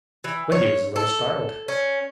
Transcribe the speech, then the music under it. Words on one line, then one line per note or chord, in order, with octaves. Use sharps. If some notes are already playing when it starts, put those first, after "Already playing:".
Wendy was a little startled.
E3
C#5
A4
C#4